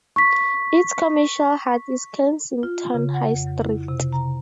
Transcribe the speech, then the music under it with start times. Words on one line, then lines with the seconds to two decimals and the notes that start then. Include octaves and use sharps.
Its commercial heart is Kensington High Street.
0.16 C#6 B6
2.63 F4
2.94 C#3
3.14 F#5
3.32 F2
3.62 E4
3.88 C3
4.13 A#5